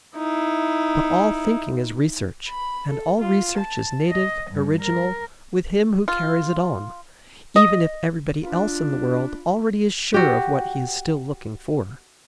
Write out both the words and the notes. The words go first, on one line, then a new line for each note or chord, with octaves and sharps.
But all thinking is research, and all research is native, original, with him who carries it on, even if everybody else in the world already is sure of what he is still looking for.
D#4 E4
B5
A4
F4
A5
D#5
G2
A#4
F4
D#5
D4 F4 B4
F#4 G4